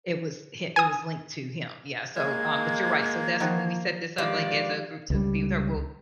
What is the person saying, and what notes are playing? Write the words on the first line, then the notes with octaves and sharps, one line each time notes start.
it was hi it was linked to him. Yeah, so, um, but you're right. So that's when we set this up like as a group to be with her. Well,
G#5 D#6
G#3 A#3 G#6
D#3 F3 F#4
G2 D#3 F3 G#3 D5 F5
C#2 G3